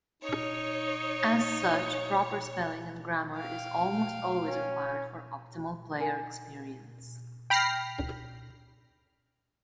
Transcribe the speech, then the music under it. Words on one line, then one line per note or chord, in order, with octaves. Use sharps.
As such, proper spelling and grammar is almost always required for optimal player experience.
D#4 C#5
F5 G5
C#4
D#4 A#4 G#5
G5 B5 F6 A#6 C7